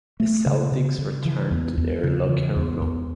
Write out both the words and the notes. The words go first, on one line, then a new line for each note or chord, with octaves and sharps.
The Celtics returned to their locker room.
A3
C#3
C#3
C#3
E3
E2
E2
C#3
E3
E2
E2